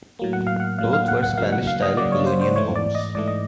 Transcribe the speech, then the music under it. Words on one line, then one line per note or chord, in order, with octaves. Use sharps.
Both were Spanish-style colonial homes.
A2 F#3 A#3
F#5
F5
F#5
A2 F#3 A#3 F5
F5
F#5
F#5
C#3 F#3 A#3 F5
F#5
F5
D#5
C#3 F#3 A#3 D5
C#5
C5
C5
G#2 E3 A3 C#5
D5
D#5
G#2 E3 A3 D5
D#5